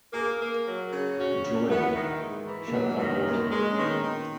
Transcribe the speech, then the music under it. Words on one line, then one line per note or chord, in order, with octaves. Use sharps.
Ajoy Chakraborty.
A#3 G#4
A#3
F#3
C#3
C#4 F#4
C#3
B3 E4
D#3
G#2
E3
A#3
F#3 B3
D#3
F#2 A#3
G#3
C#4
D#3 B3
D#3